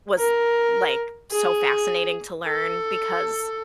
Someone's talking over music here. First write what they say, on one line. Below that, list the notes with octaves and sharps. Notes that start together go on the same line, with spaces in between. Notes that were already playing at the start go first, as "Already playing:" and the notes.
was, like, so fascinating to learn because
A#4
G#4
A4